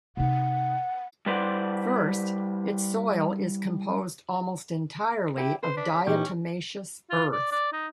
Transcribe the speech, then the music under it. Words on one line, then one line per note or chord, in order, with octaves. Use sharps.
First, its soil is composed almost entirely of diatomaceous earth.
C3 D#4 F#5
G3 E4 B4 C5 D5 F#5
E4 G4 G5
B4 C5
D4 B6
C#3
A#2 E3 C#4 D#4 G4
F4
D5
D5
D#4